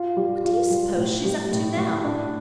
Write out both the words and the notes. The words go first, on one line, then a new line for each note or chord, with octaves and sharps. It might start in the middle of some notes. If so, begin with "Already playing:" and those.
"What do you suppose she's up to now?"
Already playing: F4
G3
F4
G3
A2
G3
A2
A2
D4